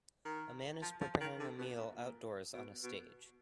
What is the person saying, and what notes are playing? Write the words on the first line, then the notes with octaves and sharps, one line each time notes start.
A man is preparing a meal outdoors, on a stage.
D#3
F3
F3
D#3
D3
B2
A#2
A#2
B2
B2